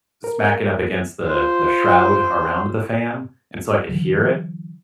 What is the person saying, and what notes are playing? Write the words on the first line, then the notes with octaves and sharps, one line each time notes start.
smacking up against the the shroud around the fan, and so I could hear it,
A#4
F4 C5
D3 E3 F#3